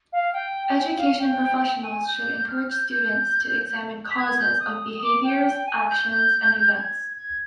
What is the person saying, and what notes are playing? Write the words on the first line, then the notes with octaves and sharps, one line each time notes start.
Education professionals should encourage students to examine "causes" of behaviors, actions and events.
F5
G5
G5
F5
G5
G5
G#5
G6
F6
G6
G6
B6
G#6
G6
D#6
D6
G5
G5
G#5
G6
G6
G#6
G#6